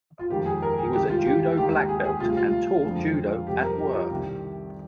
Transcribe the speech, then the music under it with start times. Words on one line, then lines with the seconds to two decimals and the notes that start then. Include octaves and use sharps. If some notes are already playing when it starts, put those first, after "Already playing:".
He was a judo black belt and taught judo at Worth.
0.19 F4
0.30 F2 D#3 G#3 G4
0.46 G#4
0.62 A#4
0.78 G#4
0.93 C2 C3 D#3 G#3 G4
1.10 F4
1.25 G4
1.40 G4
1.56 D#2 D#3 G#3 G4
1.73 G4
1.89 G#4
2.05 G#4
2.20 D2 C3 G3 F4
2.37 F4
2.83 F2 D3 F3 G#3
3.47 F2 C3 G3 G4
3.62 A#4
3.78 G4
3.94 F4
4.10 C2 C3 D#3 G3 G4